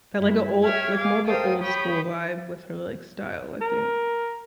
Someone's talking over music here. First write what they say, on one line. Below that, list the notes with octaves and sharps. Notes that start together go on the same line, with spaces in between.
Got, like, a old like, more of a old school vibe with her, like, style, I think.
G2 E4
C#5 E5 G5 F6 G#6
G#4 F5 D6
A4 A#4 C5 F5 G5 D#6
G4 C#5 G5 B5 D#6 G6
A#4